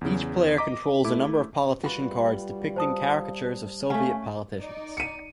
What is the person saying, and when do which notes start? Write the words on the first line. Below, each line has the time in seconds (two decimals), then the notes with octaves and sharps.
Each player controls a number of politician cards depicting caricatures of Soviet politicians.
0.01 E2 C#3
0.57 D#5 A#5 D6 B6
1.04 A3 E4 D6
1.83 G3 F4 F#4 B4
2.76 C5 A5 D#6
3.90 A3 C#4 F5 G#5
4.59 D#4 D5
4.97 C#7 D#7